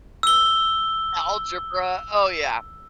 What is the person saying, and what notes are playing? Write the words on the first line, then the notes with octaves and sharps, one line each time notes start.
Algebra, oh yeah,
E6 G7